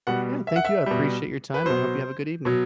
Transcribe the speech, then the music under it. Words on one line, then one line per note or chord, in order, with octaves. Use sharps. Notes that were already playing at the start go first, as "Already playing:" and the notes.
Yeah, thank you. I appreciate your time, and I hope you have a good evening.
B2 G3 F#5
E5
F#5
E5
B2 G3
B4
B2 F#3 C5
B2 F#3